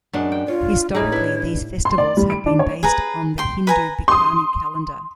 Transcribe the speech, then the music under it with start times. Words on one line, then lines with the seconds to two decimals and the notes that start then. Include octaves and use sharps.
Historically, these festivals have been based on the Hindu Bikrami calendar.
0.13 F#2 G#3 D4
0.32 G5
0.48 F4 C#5
0.95 A2 G3 D#4 G#4 C#5
1.12 D4 E4 B4
1.85 C6
1.98 D5
2.17 G3
2.30 D7
2.46 D4
2.59 C#5
2.83 G#4 B4 A#5
3.38 G5 C6
3.67 B4 G#5 A#5
4.08 C6 D#6